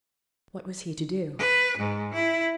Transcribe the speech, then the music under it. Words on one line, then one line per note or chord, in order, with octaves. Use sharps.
What was he to do?
B4
G#2
E4